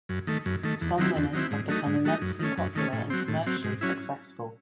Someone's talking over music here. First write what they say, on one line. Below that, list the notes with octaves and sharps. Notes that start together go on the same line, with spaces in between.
Some winners have become immensely popular and commercially successful.
F#2
D#3 A3
F#2
D#3 A3
E2
D#3 F#3 C4 E4
E2
D#3 F#3 C4 E4
G#2
F#3 A3 D#4
G#2
F#3 A3 D#4
F#2
D#3 A3 C#4
F#2
D#3 A3 C#4
A2
F#3 C4
A2
F#3 C4
G#2
F#3 C#4 E4